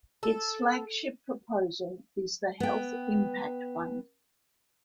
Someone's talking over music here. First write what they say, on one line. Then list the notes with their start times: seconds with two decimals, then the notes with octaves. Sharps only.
Its flagship proposal is the Health Impact Fund.
0.23 A4
2.60 B3 G5